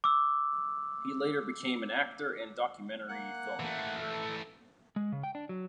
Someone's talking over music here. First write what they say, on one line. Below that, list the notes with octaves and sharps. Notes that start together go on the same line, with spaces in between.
He later became an actor and documentary filmmaker.
D6 E6
A#3 F#5 F#6
E3 A3
A4
G#3
C#3
G5
D4
F#3